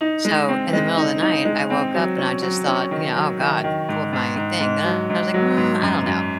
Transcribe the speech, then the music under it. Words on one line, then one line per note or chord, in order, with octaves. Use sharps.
so in the middle of the night, I woke up and I just thought, you know, "Oh, god, pulled my thing," then I was like, "Mm, I don't know."
D#4
G#3
C4
G#3
D#4
D#4
G#3
C4
F#3
C#4
F#3
C#4
D#3
F#3
D#3
D#3
G#2
G#2
G#2
G#2
F#3
G#2
F#3
G#2
F#2
F#2